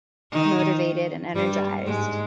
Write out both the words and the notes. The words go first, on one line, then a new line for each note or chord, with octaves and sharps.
motivated and energized.
D#3 D#4
G2 G3
G#2 G#3